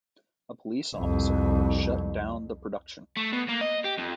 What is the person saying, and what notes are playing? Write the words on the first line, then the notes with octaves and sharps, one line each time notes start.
A police officer shut down the production.
C2 F2
A3
B2
A#3
D#5
G4
F2